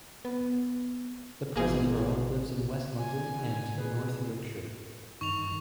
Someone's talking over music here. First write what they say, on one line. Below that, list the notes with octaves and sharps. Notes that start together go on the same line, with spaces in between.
The present Earl lives in West London and North Yorkshire.
B3
A1 G#2 B2 A#3 G#4
G#5
D3 D#3
G#4 B4
G2 D#3 D#4 C#6 F7